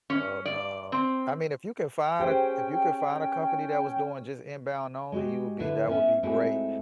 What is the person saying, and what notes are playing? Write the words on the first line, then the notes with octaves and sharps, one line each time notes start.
Oh, no, I mean if you can find a if you could find a company that was doing just inbound only, you would be that would be great,
C#4
D5
C4
C#4 G4 G#4 C5 G5
G#3 F#4 G4
D3 D4 E4 B4
B3 C#4 E5
G#2 A3 C4 E4 F#4 G#4